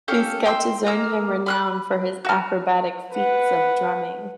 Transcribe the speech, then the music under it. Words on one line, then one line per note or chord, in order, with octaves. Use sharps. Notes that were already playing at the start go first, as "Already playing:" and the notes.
These sketches earned him renown for his acrobatic feats of drumming.
C#4 G4 A4 F5
G5 C6 E6
A#3 A#5 E6
B5 F6 F#6
F#4 F6
B4 F#5